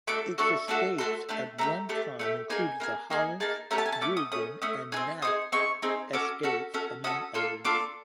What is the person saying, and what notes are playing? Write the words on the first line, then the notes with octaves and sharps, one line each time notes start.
Its estates at one time included the Hollins, Gulden, and Knapp estates, among others.
A3 D4 F#4 A4 D6
A3 D4 F#4 A4 C#6
A3 D4 F#4 A4
A3 D4 F#4 A4 C6
A3 D4 G4
A3 D4 G4 A#5
A3 D4 G4
A3 D4 G4
A#3 D#4 G#4 G#5
A#3 D#4 G#4
A#3 D#4 G#4
A#3 D#4 G#4 A5
A3 C#4 G4 A#5
A5
G#5
A5
A3 C#4 D6
D#6
A3 C#4 D#6
A3 C#4 D#6
C4 D#4 G#4 D#6
C4 D#4 G#4 D#6
C4 D#4 G#4 C#6
C4 D#4 G#4
C#4 F#4 A4 D6
C#4 F#4 A4
C#4 F#4 A4
C#4 F#4 A4 D#6
A#3 D4 F4 A4
A#3 D4 F4 A4 D6